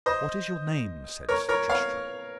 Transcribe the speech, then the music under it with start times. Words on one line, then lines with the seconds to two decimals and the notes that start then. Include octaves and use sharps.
What is your name? said Sir Tristram.
0.06 C5 D#5
1.29 A#4 C#5
1.49 A#4 C#5
1.69 C#5 F5